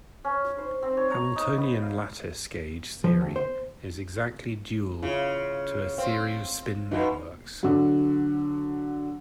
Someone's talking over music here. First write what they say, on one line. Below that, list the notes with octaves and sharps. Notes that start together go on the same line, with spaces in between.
Hamiltonian lattice gauge theory is exactly dual to a theory of spin networks.
C#4
C5
C4
C#5
A#5
D#4
B3
F5
F3
D2
C5
C#3 E4 F4
C4 C5 F5
E3 F3 D#4 F#4 B4
D3 F#3